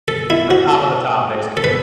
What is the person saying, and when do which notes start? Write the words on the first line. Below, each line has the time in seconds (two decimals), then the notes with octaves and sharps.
The top of the top, basically.
0.08 A4
0.30 E4
0.51 F#4
1.57 A4
1.64 B4